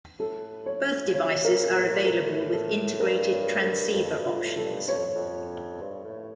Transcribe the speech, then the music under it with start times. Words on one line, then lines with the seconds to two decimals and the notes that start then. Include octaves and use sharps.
Both devices are available with integrated transceiver options.
0.19 A2 A4
0.66 C#5
1.06 A#2
1.13 C#3 C#5
1.45 A#4
1.59 C#3
1.71 A#2 C#5
1.82 A2
1.93 A#2
2.06 A2 A#4
2.53 A4
3.00 G2 A#4
3.32 C#5
3.63 A#4
3.94 F2 A4
4.18 G2
4.26 F4
4.42 A2
4.56 A4
4.65 G2
4.88 G2 C#5
4.97 F2
5.16 F2
5.82 G2
6.05 A2